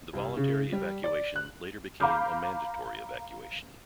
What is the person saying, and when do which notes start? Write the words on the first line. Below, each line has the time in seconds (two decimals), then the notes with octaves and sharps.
The voluntary evacuation later became a mandatory evacuation.
0.13 C2
0.37 C#3
0.72 G3
1.04 D5
1.36 F#6
2.00 F5 A#5 B5 D6 F6 G6